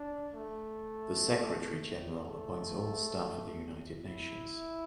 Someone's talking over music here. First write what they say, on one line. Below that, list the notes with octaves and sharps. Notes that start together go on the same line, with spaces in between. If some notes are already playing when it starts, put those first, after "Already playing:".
The secretary-general appoints all staff at the United Nations.
Already playing: D4
A3
A3
E4